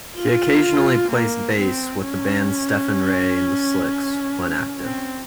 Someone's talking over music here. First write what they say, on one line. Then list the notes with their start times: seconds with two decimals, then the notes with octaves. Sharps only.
He occasionally plays bass with the band Stephen Rey and the Slicks, when active.
0.18 F4
1.11 A#3
1.57 C4
2.04 C#4
4.82 C4